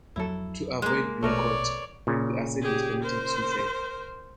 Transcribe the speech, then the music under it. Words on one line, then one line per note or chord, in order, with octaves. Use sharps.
To avoid being caught, the assailants committed suicide.
F2 F#3 E4 A4
G#3 A#3
A#1 B2 A3 A#4 B4 C#5 D5
A#2 C#3
G4 G#4
A#4 C5